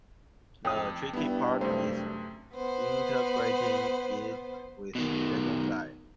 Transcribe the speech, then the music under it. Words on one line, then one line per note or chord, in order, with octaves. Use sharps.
The tricky part is integrating it with Dragonfly.
F2 G5 D#6
G2 B3 E4
F#2 C3 A3 C5
B3 C5
B2 D#3